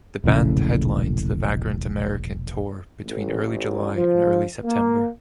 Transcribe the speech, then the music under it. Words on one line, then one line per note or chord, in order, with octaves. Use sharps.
The band headlined the Vagrant America Tour between early July and early September.
E1 A#1 A2 C#3
A1
F3
A#3